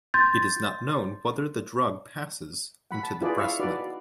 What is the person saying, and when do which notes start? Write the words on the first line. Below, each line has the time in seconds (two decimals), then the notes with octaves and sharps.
It is not known whether the drug passes into the breast milk.
0.14 C6 G6 A6
2.91 F#5 B5
3.03 A5
3.21 D4 E4 F4 G#4 B4 D5
3.38 E5 F5 C#6
3.60 D#4 F#4 B4 D5